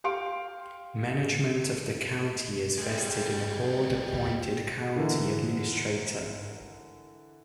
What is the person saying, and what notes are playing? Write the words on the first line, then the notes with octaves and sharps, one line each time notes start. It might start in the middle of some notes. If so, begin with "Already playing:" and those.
Management of the County is vested in a Board-appointed County Administrator.
G4 F5 C6 D7
G3 G#3
D3 E3 A#4